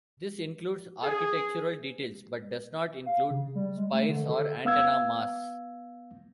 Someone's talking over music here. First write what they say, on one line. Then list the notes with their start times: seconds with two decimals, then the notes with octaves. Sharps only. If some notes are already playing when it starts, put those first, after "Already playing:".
This includes architectural details but does not include spires or antenna masts.
1.03 G#4
3.06 F5
3.30 C#3
3.55 G3
3.77 G#3
3.92 A3
4.09 D3
4.29 A4
4.65 B3 F5 E6 G#6